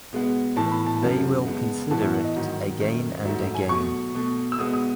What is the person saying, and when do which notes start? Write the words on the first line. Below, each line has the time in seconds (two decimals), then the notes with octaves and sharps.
They will consider it again and again.
0.13 B2 G#3 B3
0.56 A2 E3 B3 A5
0.71 B5
0.86 A5
1.01 F#2 C#3 F#3 A3
1.47 C#3 G#3 B3
1.91 A2 E3 B3 A5
2.02 E5
2.14 F#5
2.24 D#5
2.36 G#2 D#3 F#3
2.80 F#2 D#3 A3
3.25 G#2 F#3 A3 E5
3.40 E5
3.55 G#5
3.69 B2 F#3 A3 C#6
4.15 B2 A3
4.52 E6
4.58 B2 G#3 B3 D#6
4.73 D#6